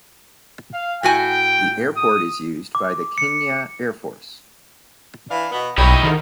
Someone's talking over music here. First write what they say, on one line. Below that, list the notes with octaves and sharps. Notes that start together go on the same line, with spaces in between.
The airport is used by the Kenya Air Force.
F5
A2 F#4 G5 G#5
D#6
D6
C#7
E3 D4 F5
B2 B3
B1 G3 D#4 E4 C#5
G#2 D3 D#3